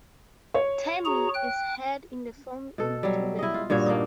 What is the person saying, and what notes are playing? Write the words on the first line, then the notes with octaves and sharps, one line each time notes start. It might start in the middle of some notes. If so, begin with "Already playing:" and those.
"Tammy" is heard in the film in two versions.
C#5
F#4 G#4 A#5
G5 F#6
B2 A4
F#3 G3
E4 D#5
F4
G2 A#2 F#4 C#5
A#3 D4 D#4